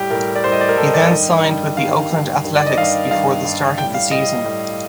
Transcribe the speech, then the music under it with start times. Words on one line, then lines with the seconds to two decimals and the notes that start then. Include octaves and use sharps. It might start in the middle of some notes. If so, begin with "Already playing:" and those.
He then signed with the Oakland Athletics before the start of the season.
Already playing: A2 G3 G4
0.10 A2 G3 A#4
0.36 D5
0.44 A2 C5
0.48 G3 D#5
0.61 D5
0.69 A#4
0.77 A2 G3 A4
0.86 D#5
0.94 D5
1.02 D#5
1.11 G2 D#3 G3
1.44 G2 D#3 G3
1.77 G2 D#3 G3 F5
2.11 G2 D#3 G3
2.44 G2 D#3 G3
2.56 D5
2.66 D#5
2.78 G2 D#3 G3 F5
3.11 G2 D#3 G3 F5
3.44 G2 D#3 G3
3.78 A2 G3 G5
3.94 F5
4.11 A2 G3 D#5
4.44 A2 G3